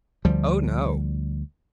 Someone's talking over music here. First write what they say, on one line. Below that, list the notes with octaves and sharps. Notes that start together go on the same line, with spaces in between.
"Oh, no!"
D2 F3 G3